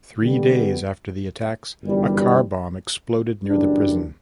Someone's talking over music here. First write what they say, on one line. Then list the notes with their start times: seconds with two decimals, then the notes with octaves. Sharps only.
Three days after the attacks, a car bomb exploded near the prison.
0.20 D3 G3 B3
1.83 G1 F#2 E3 G3 D4
3.46 F#1 F#2 E3 G3 D4